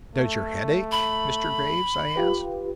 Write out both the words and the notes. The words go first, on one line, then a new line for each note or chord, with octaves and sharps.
"Does your head ache, Mr. Graves?" I asked.
A3
B5
F4 G4 B4